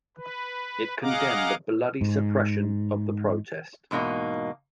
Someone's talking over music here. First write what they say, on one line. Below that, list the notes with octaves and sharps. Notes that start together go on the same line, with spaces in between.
It condemned the bloody suppression of the protest.
B4
G#4 D#5 F5 F#5 A#5 D6
G#2
E2 G#2 B2 A#3 D#4